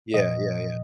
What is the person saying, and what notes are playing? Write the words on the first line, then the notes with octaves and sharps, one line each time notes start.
Yeah, yeah, yeah.
A#2 F3 D#5